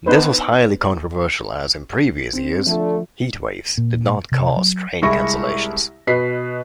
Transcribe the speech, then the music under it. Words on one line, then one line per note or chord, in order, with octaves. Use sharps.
This was highly controversial as, in previous years, 'heatwaves' did not cause train cancellations.
B3 D4 D#4 B4 C5
C4
D3 F3 A3
A#2
C3
F#3
C2 G#3 E4 E5 C#6 A#6
B2 B4 D#5 B6 C7